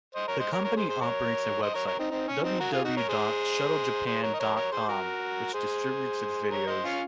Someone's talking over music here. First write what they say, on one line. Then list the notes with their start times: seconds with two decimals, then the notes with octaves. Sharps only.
The company operates a website, www dot shuttle-japan dot com, which distributes its videos.
0.15 C5 D#5
0.28 A#4 C#5
0.39 C5 D#5
0.52 A#4 C#5
0.64 A#4 C#5
0.76 G#4 C5
0.88 G#4 C5
1.01 A#4 C#5
1.62 C5 D#5
1.74 A#4 C#5
1.86 A#4 C#5
1.99 C4 D#4
2.11 C4 D#4
2.28 C#4
2.43 C4 D#4
2.60 F#4 A#4
2.72 F4 G#4
2.84 D#4 F#4
2.97 A#4 C#5
3.09 G#4 C5
4.06 G#4 C5
4.23 A#4 C#5
4.34 D#5
4.39 A#4 C#5
4.56 A#4 C#5
4.72 G#4 C5
4.88 F#4 A#4
5.53 G#4 C5
6.51 A#4 C#5
6.67 C5 D#5
6.84 C#4 F4